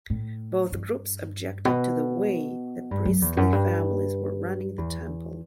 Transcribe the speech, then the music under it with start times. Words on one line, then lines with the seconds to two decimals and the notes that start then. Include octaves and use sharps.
Both groups objected to the way the priestly families were running the Temple.
0.10 A2
0.72 G2
1.65 B2
2.91 G2
3.05 F#2
3.22 E2
3.37 F#2
3.52 G2
4.78 E2